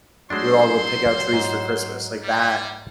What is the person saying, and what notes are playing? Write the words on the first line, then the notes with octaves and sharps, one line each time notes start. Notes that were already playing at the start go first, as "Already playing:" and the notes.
we would all go pick out trees for Christmas, like, that
F#3 G#3 A3 D4 C5 C6
G#2
G3